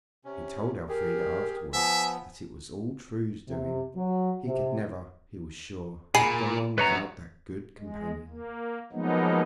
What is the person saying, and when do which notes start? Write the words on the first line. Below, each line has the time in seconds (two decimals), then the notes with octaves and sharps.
He told Elfrida afterwards that it was all True's doing; he could never, he was sure, have gone on without that good companion.
0.25 C3 C#4
0.89 G4 G#4 A#4
1.73 F3 B3 E5 G#5
3.49 C3
3.96 F#3
4.46 C3
6.15 A#2 G#4 B5 C7 D#7
6.78 F#2 B4 C#5 A#5
7.78 G#3
8.27 A#3
8.92 F3 F#3 G#3 A#3 B3 D#4